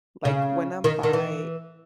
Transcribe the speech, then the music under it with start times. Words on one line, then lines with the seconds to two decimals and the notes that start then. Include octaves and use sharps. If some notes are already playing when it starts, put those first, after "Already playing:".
like, when I'm by
0.25 C#3
0.84 D#3
1.03 D#3
1.13 E3